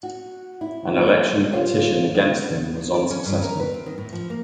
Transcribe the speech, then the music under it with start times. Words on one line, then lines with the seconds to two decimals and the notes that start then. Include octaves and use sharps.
An election petition against him was unsuccessful.
0.03 F#4
0.61 E4
0.96 D#3 A#3 B3
1.52 F4 G4 A4 C5 C#5 F5
2.15 B3
2.94 D5
3.11 C#4
3.26 G2
3.42 A#4
3.60 B4
3.74 C4
3.86 D#3
3.98 A2
4.13 F3
4.30 A#3